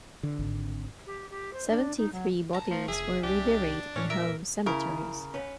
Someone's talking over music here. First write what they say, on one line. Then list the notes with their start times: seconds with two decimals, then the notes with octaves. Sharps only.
Seventy-three bodies were reburied in home cemeteries.
0.23 D3
0.39 G#1 C4
1.06 G4
1.30 G4
1.53 C5
1.68 D4
1.97 D#4
2.12 F#3
2.53 A5 A#5
2.71 F3 A3
2.88 F1 G#4 E5 G#5
3.23 C2 D4 G4
3.96 A2 C#4 C#5
4.10 A#2 A#4 E5
4.66 C#3 E4 A#4
5.34 C#4 B4